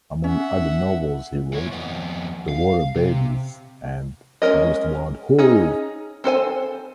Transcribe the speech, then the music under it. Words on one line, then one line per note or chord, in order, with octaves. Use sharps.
Among other novels he wrote "The Water Babies" and "Westward Ho!".
C#4 E5 F#5
E3 C#5
F2 B3
F5
C3
G#3 C#4 F4 A#4 D#5
C#4 D#4 G#4
C4 A4 C5 G#5